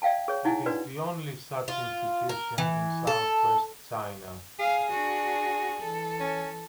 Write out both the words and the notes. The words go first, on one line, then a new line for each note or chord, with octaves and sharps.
It is the only such institution in southwest China.
D5 E5 F5 G5 A5
G#4 C#5
D#4 E4 F#5 G#5
D4 F#4 B4 D5
F4
A#4
E3
A4
G#4 F5
D4 F#4
E3 A4
C#4